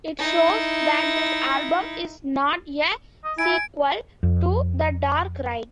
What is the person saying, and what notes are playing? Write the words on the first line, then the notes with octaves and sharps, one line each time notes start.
It shows that this album is not a sequel to 'The Dark Ride'.
D#4 E4
D#5
E4 G#5 D7
F2